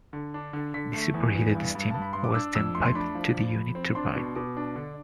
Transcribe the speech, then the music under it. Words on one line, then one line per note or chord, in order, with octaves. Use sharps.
The superheated steam was then piped to the unit turbine.
D3
D4
D3
D3 B6
A3
E2
E2
G2
G2
G2 A5
B5
G2 C6
D6
D4 E6
F2 E6
A3 C6
C6
D4 B5
F3
F2
F2
C4
D4 C6
B2
B2 D6
D4
D3